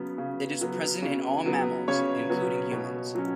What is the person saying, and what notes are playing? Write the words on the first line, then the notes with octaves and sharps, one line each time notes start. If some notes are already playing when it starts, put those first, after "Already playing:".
It is present in all mammals, including humans.
Already playing: C#3 F#3 B3
C#3
F#3 B3
C#3
F#3 B3
C#3 C#5
F#3 B3
B2
F#3 C#4